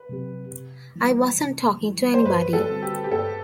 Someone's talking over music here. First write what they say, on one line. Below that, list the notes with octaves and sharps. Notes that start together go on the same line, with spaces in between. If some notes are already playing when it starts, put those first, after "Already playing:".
I wasn't talking to anybody.
Already playing: B4
C3 F#3 C4 G4
C3
E3 G3
C3
E3 G3
C5
G2 B4
A4
D3 G3 C4 F#4
G4
G4
G2 A4